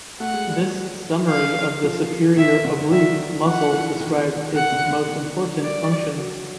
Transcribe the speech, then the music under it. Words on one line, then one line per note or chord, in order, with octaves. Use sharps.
This summary of the superior oblique muscle describes its most important functions.
A3 F#5
G#3
G3
F#3
F5
F3
D#3 E5
D3
D#3 E5
F3 F#5
E3
D#3
D#3
D#3
D#3 F#5
D3
D3
D#3
G3 D5
F#3